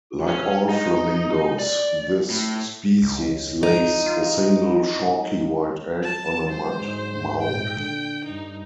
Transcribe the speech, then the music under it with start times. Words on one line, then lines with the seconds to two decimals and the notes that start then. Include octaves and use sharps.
Like all flamingos, this species lays a single chalky-white egg on a mud mound.
0.28 C#4
0.69 D#4
1.59 D5
2.30 A2
3.02 C#2
3.63 D#4
4.06 F4
6.03 D3 F#3 G#3 A5
6.50 C5
6.81 G#2
7.41 A#2 G5
7.79 D3
8.25 G2 D#4